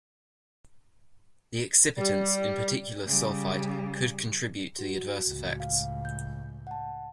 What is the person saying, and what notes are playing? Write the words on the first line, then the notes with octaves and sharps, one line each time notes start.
The excipients, in particular sulphite, could contribute to the adverse effects.
G3
C#3 G3
F#4
C#2 A2
F5
G6
F#5 A5